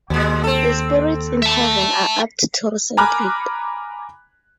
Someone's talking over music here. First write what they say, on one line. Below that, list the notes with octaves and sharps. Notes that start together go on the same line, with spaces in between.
The spirits in heaven are apt to resent it.
D#2 A#2 G#3
C4 A4
E5 A5
G#5 A#5 B5 D6 F6 F#6